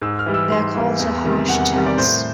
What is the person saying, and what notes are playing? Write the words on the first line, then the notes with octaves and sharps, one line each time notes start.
Their calls are harsh "chak"'s.
G#2 E6
F6
E3 G3
E6
G#2 C6
E3 G3
E2
C3 D#3 G3
E2 F#5
F#5
C3 D#3 G3 F#5
D5
A2 C5